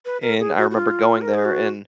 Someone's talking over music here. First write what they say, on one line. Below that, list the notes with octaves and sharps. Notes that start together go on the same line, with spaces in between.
and I remember going there, and,
B4
A#4
G#4
F#4
F#4
F4
A#4
G#4
F#4